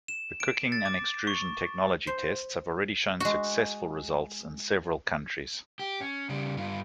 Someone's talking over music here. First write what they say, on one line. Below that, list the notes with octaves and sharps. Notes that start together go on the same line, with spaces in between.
The cooking and extrusion technology tests have already shown successful results in several countries.
E7
D7
A6
D6
C#6
C5
G#3 F#4
G4
C#4
C#3 G3
G2 F4